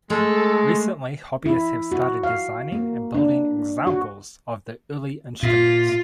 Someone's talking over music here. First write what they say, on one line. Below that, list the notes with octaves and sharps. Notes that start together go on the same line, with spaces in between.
Recently, hobbyists have started designing and building examples of the early instruments.
G#3 A3 A4
E4
F#4
F5
A#3
D4
F#4
A#2 F4